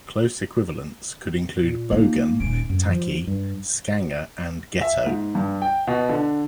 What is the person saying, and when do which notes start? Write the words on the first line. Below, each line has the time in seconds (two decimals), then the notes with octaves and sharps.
Close equivalents could include bogan, tacky, scanger and ghetto.
1.62 A#2
1.91 A#3 D#4 F4
2.40 D#1 C#4 D7
2.70 F#2
2.89 F3
3.27 G2
4.81 E5
5.07 G#2
5.35 G2
5.62 G5
5.87 B2
6.09 D3